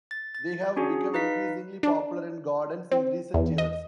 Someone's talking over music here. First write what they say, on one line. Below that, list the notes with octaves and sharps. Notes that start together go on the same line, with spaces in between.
They have become increasingly popular in gardens in recent years.
A6
A6
C#4 D4 F#4 G#4
D#4 B4 F5 B6
D4
C4
E2
D#5